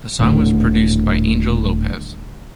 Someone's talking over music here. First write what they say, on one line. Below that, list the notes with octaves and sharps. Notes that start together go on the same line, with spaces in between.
The song was produced by Angel Lopez.
D#1 A2 D3